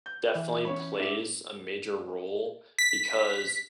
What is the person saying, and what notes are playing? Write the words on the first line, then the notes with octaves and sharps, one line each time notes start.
definitely plays a major role because
G6
E3
C#4 C#5 B5
G#2 D4 E5
B6